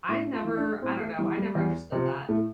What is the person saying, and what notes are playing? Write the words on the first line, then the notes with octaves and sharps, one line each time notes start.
I never I don't know, I never understood that.
A2 E5
F4
E3
D4
A2 C4
A3
E3 G3
G3
E2
C3 F3
A2 A3